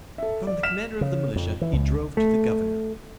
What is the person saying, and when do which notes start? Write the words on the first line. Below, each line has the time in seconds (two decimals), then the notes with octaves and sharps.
From the commander of the militia he drove to the governor.
0.18 A4 E5
0.47 D5
0.63 F6 B6 E7
1.01 C#3
1.36 F2
1.61 E3
1.73 C#2
2.17 A3